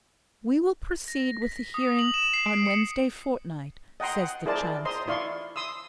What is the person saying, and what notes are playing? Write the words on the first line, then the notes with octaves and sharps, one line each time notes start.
"We will proceed with the hearing on Wednesday fortnight," says the Chancellor.
A#6
B6
D#6
F#7
E7
C7
D7
C#7
D#5 F#5 G5 A#5 C6
F#5
E4 G#4 A#4 C5 D5 A5
C5 D#5 A#5 C6
E4 D5 F5 C6 C#6
C6 D#6 E6